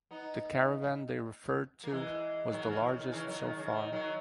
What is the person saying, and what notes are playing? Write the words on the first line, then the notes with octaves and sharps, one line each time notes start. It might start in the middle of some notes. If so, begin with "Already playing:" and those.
The caravan they referred to was the largest so far.
B3 D#4
A#3
E3 G#3
D#3 F#3
C#3 E3
C#3
D#3
C#3 E3
D#3 F#3
D#3
C#3
D#3
D#3 F#3